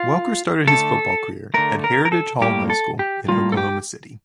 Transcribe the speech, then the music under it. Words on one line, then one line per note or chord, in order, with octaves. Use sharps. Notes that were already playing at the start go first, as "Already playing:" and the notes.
Welker started his football career at Heritage Hall High School in Oklahoma City.
Already playing: F4
D3 A3 A4
D3 A3 A#4
A#4
A#4
A4
A2 G3 A#3 G4
A4
G4
A2 G3 A#3 F4
A4
G4